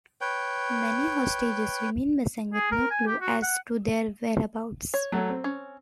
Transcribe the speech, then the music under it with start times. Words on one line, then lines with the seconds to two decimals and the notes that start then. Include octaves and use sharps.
Many hostages remain missing with no clue as to their whereabouts.
0.21 B4 C#5 G5
2.54 G#4
2.72 A#4
2.91 G#5
3.07 G4
3.21 F#4
3.42 F#5
4.94 C#5
5.12 F#3 A3
5.29 C4
5.44 C#4